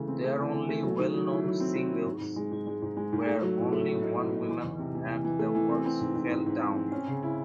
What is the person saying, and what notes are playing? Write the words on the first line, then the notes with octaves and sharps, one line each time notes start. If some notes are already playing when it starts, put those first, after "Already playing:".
Their only well-known singles were "Only One Woman" and "The Walls Fell Down".
Already playing: C#3 E3 A3
C4
A3
E3
E3
A3
F#3
D#3
F#3
E4
F#3
C4
F#3
E4
G#2
G#2
G#3
G#2
G#3
G#2
G#3
G#2
A3
F#3
A2
A3
A2
D#4
A2
D#4
E3
E2
C3
E3
E3
E3
A3
E3
C4
C4
G#2
G#2
G#2
G#2
C4
C4
C#4
C#3
E4